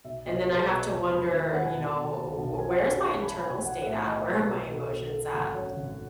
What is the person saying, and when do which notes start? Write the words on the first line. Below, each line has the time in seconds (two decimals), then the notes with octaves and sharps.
and then I have to wonder, you know, uh, "Wh where's my internal state at? Where are my emotions at?"
0.04 B1 E5
0.25 B1 D#5
0.47 B1 B4
0.57 G#4
0.67 B2 B4
0.79 A5
0.88 E1 G#5
1.10 E1 B5
1.21 B5
1.31 D#3
1.44 E5
1.53 D#3 F#5
1.64 G#5
1.73 B2 A5
1.95 B2
2.16 B1
2.37 B1
2.58 F#2 G#5
2.69 F#5
2.79 F#2 G#5
2.90 A5
3.00 E3 G#5
3.11 A5
3.22 E3 B5
3.33 B5
3.43 B1 G#5
3.64 E3 F#5
3.78 F#5
3.85 A2 E5
4.07 E3 D#5
4.27 B2 B4
4.48 B1 B4
4.70 B1 A4
4.91 B1
5.12 E3 A4
5.33 G#1 F#5
5.54 F#2 C#5
5.76 G#1